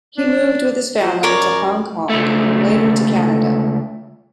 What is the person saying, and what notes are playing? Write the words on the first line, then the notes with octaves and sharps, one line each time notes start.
He moved with his family to Hong Kong and later to Canada.
D4
F3
F#2 A#4 C#5 D5
C#2 A3